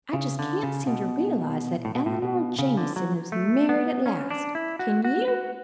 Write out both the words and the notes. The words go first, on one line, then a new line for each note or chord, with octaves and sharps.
I just can't seem to realize that Eleanor Jamison is married at last, can you?
C#3
D3
C#3
B2
A2
B2
A2
B2
C#3
D3
F#3
A3
B3
C#4
D4
E4
F#4
F#4
F#4